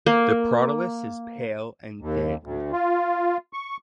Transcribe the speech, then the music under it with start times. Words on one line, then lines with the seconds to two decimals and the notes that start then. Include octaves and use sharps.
The prothallus is pale and thin.
0.06 A#3
2.01 D#2
2.43 D2
2.72 F4
3.53 C#6